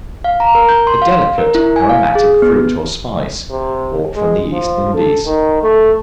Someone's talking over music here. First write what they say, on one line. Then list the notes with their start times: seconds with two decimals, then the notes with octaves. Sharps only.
A delicate aromatic fruit or spice, brought from the East Indies.
0.24 F5
0.40 A#5
0.55 A#4
0.69 G6
0.87 C6
1.02 F5
1.38 A#4
1.55 E4
1.76 G#5
1.89 F5
2.15 G#4
2.42 B3
3.51 C3
4.15 G#3
4.52 F3
4.94 A4
5.26 D#3
5.62 A3